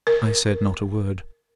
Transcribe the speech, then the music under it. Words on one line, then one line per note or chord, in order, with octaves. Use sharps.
I said not a word.
A#4